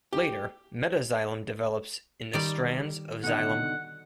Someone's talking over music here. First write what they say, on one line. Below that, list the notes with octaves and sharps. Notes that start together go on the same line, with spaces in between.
Later, 'metaxylem' develops in the strands of xylem.
G4
D#3 G3 D5
B2 D3 D#4 F#5